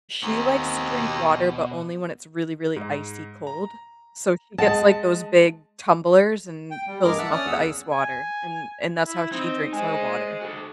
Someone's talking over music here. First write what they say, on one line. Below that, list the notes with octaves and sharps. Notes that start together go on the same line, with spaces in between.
she likes to drink water, but only when it's really, really icy cold. So, she gets, like, those big tumblers and fills them up with ice water and and that's how she drinks her water.
D#2 B3 C4
B2
G#2
A#5
G#3 G#4 D#5 F#5 A5 A6
G5
G3
G2 G#3 G#4 A#4 D6 F6
E5 F#5 A5 E6 F#6
C#4 D5 D#6 F6
E2 G#4 F#5 E6
G#5
E4
C4 D#4
G#3 C5 G#5
F#4 A4